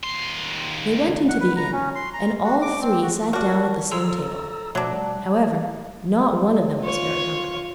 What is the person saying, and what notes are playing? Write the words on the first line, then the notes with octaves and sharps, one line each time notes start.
They went into the Inn and all three sat down at the same table. However, not one of them was very hungry.
D#2 C6
F#5
B4
A#5
C#4
C6
A#5
F#4
D6
C4
F#4
D4 F#4 A#4
G#3 A4 A#5 E6
B2 F3 F#3 A3 D4
G3
F4 C#5